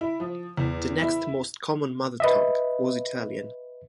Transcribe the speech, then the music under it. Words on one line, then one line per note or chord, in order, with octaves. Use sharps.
The next most common mother tongue was Italian.
E4
F3
E2
E4
B4 D#5 E5